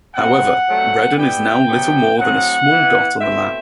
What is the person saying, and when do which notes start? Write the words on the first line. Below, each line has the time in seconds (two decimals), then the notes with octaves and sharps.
However, Redden is now little more than a small dot on the map.
0.16 C3 F#3 C4 E4 F#5
0.67 G2 F#3 A3 C4
1.17 E3 G3 B3 E4 G5
1.67 C3 F#3 B3 D4
2.18 A2 F#3 C4 F#5
2.69 E3 B3 E4
3.19 B2 A3 C4 E4 E5